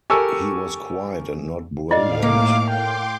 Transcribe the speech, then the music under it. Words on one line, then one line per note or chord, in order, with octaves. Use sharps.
He was quiet and not brilliant.
G4 A4 A#4 G#5 C#6 E6
A2 E4 D5 D#5 F5
A#3 D#4 D6
G5 C6 D6